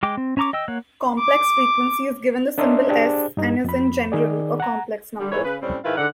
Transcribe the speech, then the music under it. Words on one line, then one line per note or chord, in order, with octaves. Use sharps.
Complex frequency is given the symbol "s" and is, in general, a complex number.
G#3 G5 D6
C4
C#4 C#5 A#5 C#6 D6
D#5 G5 E6
A#3 C#5 F#5
D6
C#4 D4 A#4 D#5 E5 C6
D4 G4 G#4 C5
G2 D#4
F2 B5
D#3 G#4 D5
F#5 A#5
D3 G3
G#2 E3 G#3 A3 C#5
C#3 B4
A2 G3 C4 C#4
G#2 D#3 E4 A#4 B4 F5
G#2 D3 F#5